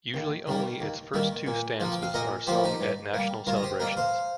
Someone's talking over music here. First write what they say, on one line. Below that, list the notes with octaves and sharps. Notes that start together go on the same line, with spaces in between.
Usually only its first two stanzas are sung at national celebrations.
D#2
D#3 G3 A#3
D#2
D#3 G3 A#3
A#2
F3 A#3
G5
F5
A#2 A#4 D#5
F3 A#3 G4 C5
D#4 G4
G2
G3 A#3
G2 F4 A#4
D#5
G4 C5
G3 A#3 A#4 D#5
C5 F5